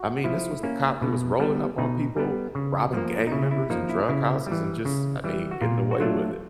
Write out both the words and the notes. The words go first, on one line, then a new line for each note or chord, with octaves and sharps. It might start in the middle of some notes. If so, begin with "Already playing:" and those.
I mean, this was the cop that was rolling up on people, robbing gang members and drug houses and just, I mean, getting away with it.
Already playing: F#4
F3 E4
A#3 C#4
B2
G3 B3
B2 D#4
G3 B3
C#3
F3 A#3
D#4
C#3 E4
E4
F3 A#3 D#4
E4
C#3 E4
E3 G3
C#3
E3 G3
F#4
A#2 F4
F#4
F#3 A3 D4 F4